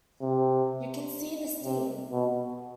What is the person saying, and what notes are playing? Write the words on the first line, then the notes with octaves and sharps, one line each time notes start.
You can see the steam.
C3
C3
B2